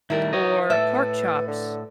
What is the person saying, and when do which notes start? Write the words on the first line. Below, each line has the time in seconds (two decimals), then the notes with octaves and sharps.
or pork chops.
0.10 D#3 G3 A3 E4 A#4
0.33 E3 D#4 C#5 D#5
0.70 A2 A4 B4 E5
1.48 D3